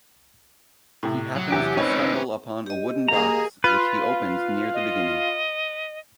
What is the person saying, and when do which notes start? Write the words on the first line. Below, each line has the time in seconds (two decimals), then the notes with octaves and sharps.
He happens to stumble upon a wooden box, which he opens near the beginning.
1.03 A2 C3
1.36 F#3
1.52 E2 C3 E4 G4
1.77 C4 C#4 D#4 B4 C#5
2.66 G4 D#5
3.08 A#3 G#4 A#5
3.64 F4 B4
4.74 D#5